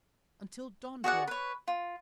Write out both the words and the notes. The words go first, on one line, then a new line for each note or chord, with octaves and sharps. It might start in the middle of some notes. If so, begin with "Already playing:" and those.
Until dawn broke.
F#4 G#4 D5 F#5
B4 C#5
F4